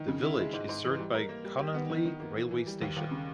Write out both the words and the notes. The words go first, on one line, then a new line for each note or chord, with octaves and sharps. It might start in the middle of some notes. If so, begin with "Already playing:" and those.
The village is served by Cononley railway station.
Already playing: D#3
C#3
E4
G#3
G#2
G#2
E3
G3
A#4
A#3
G3
G4
B3
D#3
D#3
A#3
E3
E3
G3
D#2
D#2
C#3